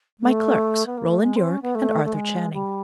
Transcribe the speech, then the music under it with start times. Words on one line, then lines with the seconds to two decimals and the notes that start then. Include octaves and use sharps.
"My clerks--Roland Yorke and Arthur Channing."
0.20 A3
0.86 B3
0.98 A#3
1.10 A3
1.23 G#3
1.36 C4
1.49 C#4
1.62 B3
1.75 A3
2.05 A3
2.14 G#3
2.53 G3